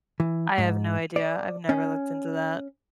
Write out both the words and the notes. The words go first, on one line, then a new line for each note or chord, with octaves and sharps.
I have no idea; I've never looked into that.
E3
G#2
D5
C#4